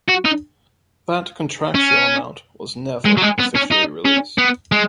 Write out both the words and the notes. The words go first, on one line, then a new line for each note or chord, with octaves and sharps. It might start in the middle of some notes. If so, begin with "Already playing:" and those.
That contractual amount was never officially released.
F#4
D#4
C#4
G#3
F#3
G#3
B3
C#4
D#4
C#4
B3
G#3